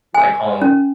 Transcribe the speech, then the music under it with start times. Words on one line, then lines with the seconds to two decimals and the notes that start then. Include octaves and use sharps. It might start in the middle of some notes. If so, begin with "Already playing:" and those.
like home
0.15 G#5
0.62 C#4